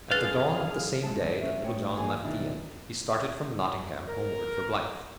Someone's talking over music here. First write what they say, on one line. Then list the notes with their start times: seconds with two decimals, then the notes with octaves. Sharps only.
At the dawn of the same day that Little John left the inn, he started from Nottingham, homeward for Blyth.
0.11 F#2 D3 G#4 B4 F5 F#6 A6
1.03 F#2 G#3 F#4 A5
1.40 C#4 E5
1.64 D2 A2 C#5 G5
1.97 E3 F#3 A#3 G#4
2.24 B2 D#3 E3 D4 D#4
4.08 A#4